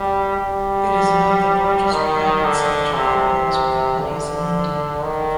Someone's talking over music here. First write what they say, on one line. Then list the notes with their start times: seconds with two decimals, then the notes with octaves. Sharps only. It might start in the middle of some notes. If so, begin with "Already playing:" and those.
It is among the largest private sector fertiliser companies in India.
Already playing: G3
0.37 G3
1.92 D#3
2.44 D3
2.95 C3
4.00 D3
5.04 D#3